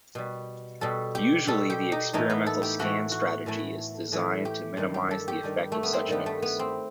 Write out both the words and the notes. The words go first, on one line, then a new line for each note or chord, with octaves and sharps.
Usually the experimental scan strategy is designed to minimize the effect of such noise.
B2 G3
B2 G3 A4
G4
B2 G3 A4
G4
D#4
A2 E3 A3 D#4
B3
A4
G4
A2 E3 A3 F#4
F#4
A2 E3 A3
A2 E3 A3
G4
G2 D#3 G3
G4
A4
G4
G2 D#3 G3
A3
B3
C4
G2 D#3 G3 B3
A3
B3
C4